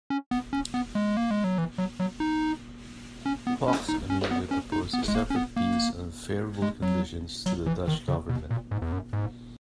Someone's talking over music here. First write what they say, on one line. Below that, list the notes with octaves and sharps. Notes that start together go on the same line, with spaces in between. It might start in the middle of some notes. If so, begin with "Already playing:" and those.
Fox immediately proposed a separate peace on favorable conditions to the Dutch government.
C#4
B3
C#4
B3
G#3
A#3
G#3
F#3
E3
F#3
F#3
D#4
C#4
B3
C#4
D#4
C#4
B3
C#4
D#4
B3
G#3
A#3
C#4
B3
A#3
G#3
F#3
F#3
E3
D#3
C#3
B2
A#2
G#2
E2
F#2
G#2